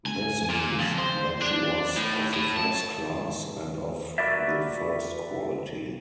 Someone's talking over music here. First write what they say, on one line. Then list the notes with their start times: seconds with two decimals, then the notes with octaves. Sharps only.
This means that she was 'of the First Class' and 'of the First Quality'.
0.06 G#5
0.51 A#2
0.80 F2
0.98 C5
1.42 D4
1.97 A2
2.34 A2
2.57 A5
4.18 F#4 A#4 B4 D5 E5